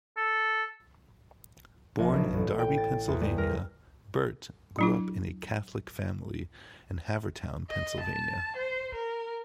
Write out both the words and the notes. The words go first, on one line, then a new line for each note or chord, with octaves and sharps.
Born in Darby, Pennsylvania, Burt grew up in a Catholic family in Havertown, Pennsylvania.
A4
A#1
B1
A1
G5
A6
E2
G3
A#4
F#3 D4 E4
D#5
A5
C5
A#4